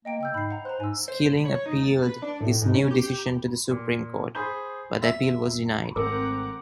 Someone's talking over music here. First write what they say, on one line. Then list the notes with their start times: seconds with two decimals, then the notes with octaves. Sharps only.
Skilling appealed this new decision to the Supreme Court, but the appeal was denied.
0.05 A#3 D#5 G5 D7
0.21 C#3 G5 E6 G6
0.34 G#2 B5 C7
0.49 F5 F#5 A#5
0.65 C5 A#5 F#6
0.80 G#2 G#5 E6
1.08 C5
1.32 B5
1.45 C#5
1.66 D#4
1.83 A6
2.02 B4
2.22 D4
2.40 A2
2.62 G#2
2.74 C#4
2.91 G4
3.08 G4
3.71 A#2
4.35 G#4 C5 B5 C6 G6
5.03 E5
5.96 G#1 G#2 A3 C4 A#4 F#5 A#5 D6